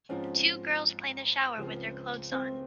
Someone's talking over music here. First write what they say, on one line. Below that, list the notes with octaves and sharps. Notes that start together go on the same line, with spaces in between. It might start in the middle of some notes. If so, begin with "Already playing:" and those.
Two girls play in the shower with their clothes on.
G#2 F3 C4 C#4
C#2 C#3 F3 C4
C4